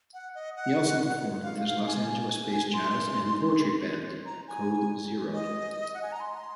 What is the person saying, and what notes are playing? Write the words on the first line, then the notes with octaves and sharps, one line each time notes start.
He also performed with his Los Angeles-based jazz and poetry band Code Zero.
F#5
D#5
F#5
F5
F5
G#5
G#5
G#5
C6
A#5
G#5
D#5
F#5
G#5
A#5
C6